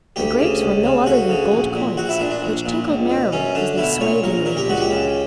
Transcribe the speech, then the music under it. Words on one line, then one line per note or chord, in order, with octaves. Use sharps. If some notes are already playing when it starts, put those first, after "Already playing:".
The grapes were no other than gold coins which tinkled merrily as they swayed in the wind.
D2 G4
C#3
C#2
C#3
D2 F#4
C#3
A#1
A#2
A#1 F#4
E4
A#2 D4
D4
A#1
A#2
C#2
B2
F#2 C#4
D3 D4
B1 E4
A#2 C#5
A#1 A#4
A#2 A#4
G4
C#2 F#4
G4
C#3